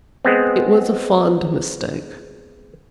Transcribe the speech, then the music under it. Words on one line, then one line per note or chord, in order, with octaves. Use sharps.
It was a fond mistake.
G#3 B3 C4